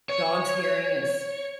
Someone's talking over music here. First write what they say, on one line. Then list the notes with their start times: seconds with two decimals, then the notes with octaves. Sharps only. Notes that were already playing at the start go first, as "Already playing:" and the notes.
dog's hearing is
0.09 C#5